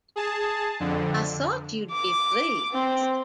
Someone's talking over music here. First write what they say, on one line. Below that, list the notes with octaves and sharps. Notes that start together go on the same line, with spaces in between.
I thought you'd be pleased.
G#4 A5
F2 D3
D6
C4